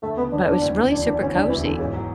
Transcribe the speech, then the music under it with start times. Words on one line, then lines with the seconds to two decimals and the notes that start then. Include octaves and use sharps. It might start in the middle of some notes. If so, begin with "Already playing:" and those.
but, it was really super cozy
0.02 D2 A3
0.17 C#3 B3
0.32 E1 D4
0.47 E3 D4
0.62 D2
0.76 C#3
0.90 E1 D4
1.05 E3 D4
1.20 D2 C#4
1.34 C#3 D4
1.49 E1 E3
1.64 D3 E3
1.79 G#2 C#3
1.93 F#3